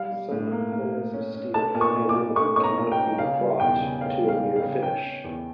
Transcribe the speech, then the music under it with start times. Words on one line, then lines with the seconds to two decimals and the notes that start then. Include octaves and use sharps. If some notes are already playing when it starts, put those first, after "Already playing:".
Some alloys of steel and aluminum cannot be brought to a mirror finish.
Already playing: G3 F5
0.11 G3
0.31 A2
0.52 A#3
0.72 A#3
0.93 A#3
1.13 C#4
1.34 C#4
1.54 A3 A5
1.74 A#2
1.81 C#6
1.96 A#2
2.09 D6
2.16 A#2
2.36 A3 C#6
2.56 C#4 C#6
2.63 A#5
2.78 A#2
2.92 G5
2.98 C#4
3.18 C#3 F5
3.39 G3
3.60 E2 G5
3.80 C#3
4.01 C#4 F5
4.21 G3
4.28 F5
4.42 G3
4.56 F5
4.62 C#3
4.83 C#4 G5
5.03 C#4
5.24 E2